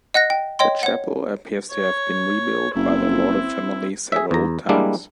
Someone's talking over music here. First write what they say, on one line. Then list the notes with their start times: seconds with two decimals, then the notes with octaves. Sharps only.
The chapel appears to have been rebuilt by the Lauder family several times.
0.14 D#5 F#5 F#6 A#6
0.30 G5
0.59 C#5 D#5 G5 C6
0.83 C#5 F#5
1.72 C#5
2.75 F#1 C4 E4
4.12 G#4 E5
4.31 E2 A#5
4.69 G3 G#3 A#3 D4 E4